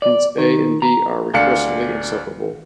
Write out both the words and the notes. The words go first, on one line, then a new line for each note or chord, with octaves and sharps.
Hence "A" and "B" are recursively inseparable.
D5
D#3
A#5
D2 D4 F5 C#7